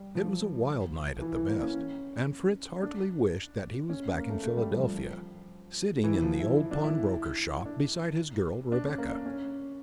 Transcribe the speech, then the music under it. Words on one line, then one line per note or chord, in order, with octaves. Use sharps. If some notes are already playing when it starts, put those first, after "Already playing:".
It was a wild night at the best, and Fritz heartily wished that he was back in Philadelphia, sitting in the old pawnbroker-shop, beside his girl, Rebecca.
Already playing: G3
F3
E3
E3
A#3
C#4
D4
C#4
A#3
A3
A3
G3
F3
F3
E3
F3
E4
E4
D4
E4
D4
D4
C#4
A#3
C#4